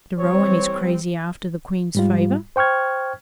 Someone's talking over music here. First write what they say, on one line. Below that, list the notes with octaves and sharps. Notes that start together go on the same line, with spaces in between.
De Rohan is crazy after the Queen's favor.
E3 G3 C4 C#5
G#2 G3 F4
C5 G5 C#6 F6 G#6